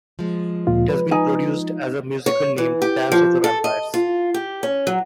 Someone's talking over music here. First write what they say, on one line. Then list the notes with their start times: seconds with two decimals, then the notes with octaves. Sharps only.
It has been produced as a musical named "Dance of the Vampires".
0.19 F3 G#3
0.67 D2 A#2 F4
0.89 B4
1.11 D#4 G#5
2.26 C#5
2.58 E3
2.82 G4
3.12 F3
3.44 A4
3.64 D#5
3.94 F4
4.34 G4
4.63 C#4
4.87 F#3